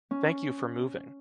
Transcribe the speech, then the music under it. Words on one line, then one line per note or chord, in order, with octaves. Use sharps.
Thank you for moving.
C#4